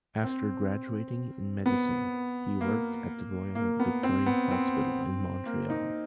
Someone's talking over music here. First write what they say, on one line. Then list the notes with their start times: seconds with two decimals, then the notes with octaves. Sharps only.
After graduating in Medicine he worked at the Royal Victoria Hospital in Montreal.
0.24 C4
1.66 B3
2.61 A#3
3.55 A#3
3.80 B3
4.03 C4
4.26 B3
4.51 C4
5.46 A#3
5.70 D#4